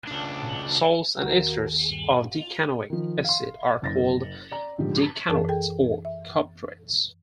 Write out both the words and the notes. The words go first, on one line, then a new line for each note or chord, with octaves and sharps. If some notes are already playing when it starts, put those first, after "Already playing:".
Salts and esters of decanoic acid are called decanoates or "caprates".
C#2 D4
D2 F#4 A#4
D#2
G2
D#3 F3
F5 C6
F#1 A6 A#6
D5 A#5
G#2 D3 F3 G4
F#2 E3 G#4 A#4 A5
G#4 A4 G5
E5